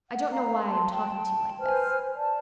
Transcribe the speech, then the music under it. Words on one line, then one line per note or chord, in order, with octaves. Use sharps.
"I don't know why I am talking to you like this."
F#5
F5 A#5
C5 A5 C6
G5 A5
B4 C5 G#5 F6
D5 A5